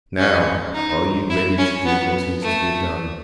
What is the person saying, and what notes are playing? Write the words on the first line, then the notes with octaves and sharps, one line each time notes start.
"Now--are you ready to do what is to be done?"
C#4
D#4
E4
C#4
B3
A3